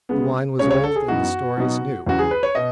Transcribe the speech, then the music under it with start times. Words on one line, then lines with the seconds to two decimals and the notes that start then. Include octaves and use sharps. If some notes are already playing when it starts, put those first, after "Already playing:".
The wine was old and the stories new.
0.09 C#3 G#3 B3
0.58 C#2 C#3 G#3 C#4 C#5
0.71 C#5
0.84 A4
0.96 G#4
1.08 F#2 E3 B3 D#4 F#4
1.57 B2 F#3 B3 D#4
2.07 E2 C#3 F#3 F#4
2.19 G#4
2.31 B4
2.43 C#5
2.55 B2 D#5